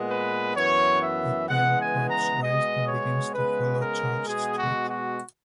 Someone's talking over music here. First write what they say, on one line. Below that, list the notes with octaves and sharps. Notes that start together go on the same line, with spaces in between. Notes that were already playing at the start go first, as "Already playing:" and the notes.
It then curves west and begins to follow Church Street.
Already playing: A#2 G#3 B3
B4
F#2 E3 B3 C#5
E5
C#3 E3 G#3 B3 F#5
G#5
A#5
B2 G#3 B3 D#5
C#5
C#3 G#3 B3 B4
A#4
B2 G#3 B3 G#4
F#4
F#4